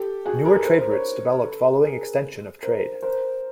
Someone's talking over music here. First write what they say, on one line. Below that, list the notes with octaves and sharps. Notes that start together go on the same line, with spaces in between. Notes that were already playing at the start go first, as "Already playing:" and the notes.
Newer trade routes developed following extension of trade.
Already playing: G4 A4
F#4 G#4
G#4 A#4
A4 B4
A#4 C5
A#4 C5
B4 C#5
A4 B4
G#4 A#4
A#4 C5
A#4 C5